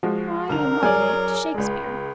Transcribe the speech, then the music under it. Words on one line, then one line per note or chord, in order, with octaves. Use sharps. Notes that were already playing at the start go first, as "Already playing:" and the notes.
Why a monument to Shakespeare?
F3 G#3 F#4
C2 D3 A#4 F7
F#2 G#4 C#5 D5 G#5
C#2 G#3